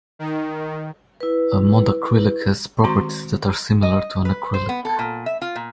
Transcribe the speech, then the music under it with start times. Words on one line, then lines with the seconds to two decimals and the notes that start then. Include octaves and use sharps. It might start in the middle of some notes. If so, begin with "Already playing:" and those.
A modacrylic has properties that are similar to an acrylic.
0.19 D#3
1.20 E4 B4
2.83 D#3 G#3 C4 F#4 A#5 C6
3.83 D#5
4.25 B4
4.54 C5
4.69 B3
4.85 A4
4.99 A#2
5.26 E5
5.42 F4
5.56 A#2